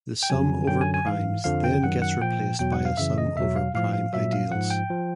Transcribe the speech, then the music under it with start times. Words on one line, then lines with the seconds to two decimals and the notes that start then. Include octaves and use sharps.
The sum over primes then gets replaced by a sum over prime ideals.
0.23 G5
0.30 F2 C#3 F#3 G#5
0.67 F#2 D3 F#3 G5
0.81 G#5
0.94 G#5
1.06 G#2 E3 F5
1.44 F2 D3 F3 F5
1.64 G5
1.84 F#2 D#3 F#3 F#5
2.02 F#5
2.22 A#2 F3 G5
2.59 E2 B2 F#3 G5
2.72 F#5
2.85 F5
2.97 F#2 C#3 E3 E5
3.18 D#5
3.37 E2 B2 F#3 E5
3.56 F5
3.74 A2 F3 F5
3.93 F5
4.13 A#2 F#3 E5
4.33 F5
4.51 G#2 F3 F#5
4.70 G5
4.90 F3